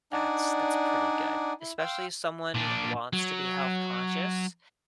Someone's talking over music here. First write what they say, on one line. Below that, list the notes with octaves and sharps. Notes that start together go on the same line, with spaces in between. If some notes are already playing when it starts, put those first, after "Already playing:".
that's that's pretty good, especially if someone wants to be health-conscious.
D4 D#4 D5 F#5 G#5
E4
F5 G5 C6 E6
A#2 D4
F#3